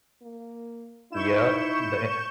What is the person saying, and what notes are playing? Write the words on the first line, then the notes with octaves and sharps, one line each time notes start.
Yep, the i
A#3
D#4 E4 C#6 G6 E7